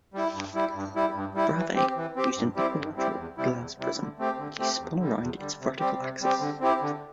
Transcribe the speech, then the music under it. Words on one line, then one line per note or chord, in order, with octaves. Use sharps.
Bravais used an equilateral glass prism which he spun around its vertical axis.
G3 E4
G2
G3 E4
G2
G3 E4
G2
G3 E4
E3
C4 G4
E3
C4 G4
G2
G3 C4 E4 G4
G2
G3 C4 E4 G4
E2
C3 G3 E4
E2
C3 G3 E4
D3
A3 C4 G4
D3
A3 C4 G4
E2
D3 G3
E2
D3 G3
C3
G3 C4 G4
C3
G3 C4 G4
D3
C4 E4 G4
D3